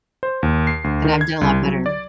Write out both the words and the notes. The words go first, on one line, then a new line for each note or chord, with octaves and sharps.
and I've done a lot better.
C5
D#2
C7
D2
D#3
G#6
C2
F#3
D5